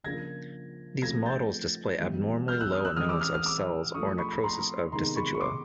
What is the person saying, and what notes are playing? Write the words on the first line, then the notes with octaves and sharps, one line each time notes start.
These models display abnormally low amounts of cells or necrosis of decidua.
C#3 F3 A#3 D4 F4 G#6 A#6
F3 A3 C4 F4 G#6 A#6
G6 A6
E3 G3 B3
F6 G6
E6 F#6
D#6 F6
E6 F#6
E3 G#3 C4 E4 D#6 F6
D6 E6
D#6 F6
D#6 F6
D6 E6
F3 A3 D4 C#6 D#6
B5 C#6
B5
A#5 C6
C3 D#3 G#3 B3 D#4 A#5 C6
B5 C#6
C#6
C6 D6